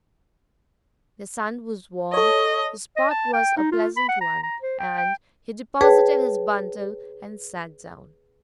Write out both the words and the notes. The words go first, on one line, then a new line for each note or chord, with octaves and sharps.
The sun was warm, the spot was a pleasant one, and he deposited his bundle and sat down.
A4 C#5 D#5
D#5
A5
G5
D#4
F4
B5
F#5
A#5
A#5
C5
G5
G5
G#4 B4 C#5 G5 A5